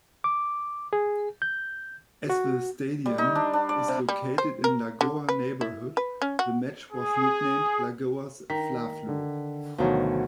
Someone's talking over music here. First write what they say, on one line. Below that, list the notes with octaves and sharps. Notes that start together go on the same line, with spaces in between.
As the stadium is located in Lagoa neighborhood, the match was nicknamed "Lagoa's Fla-Flu".
D6
G#4
G6
F#4
G3
D#4
D4
D4
D5
C3
G3
C5
A#4
D3
B4
E4
B4
C#4
F#4
G#4
D#3 B6
D3
D2 B2 D#3 F3 F#3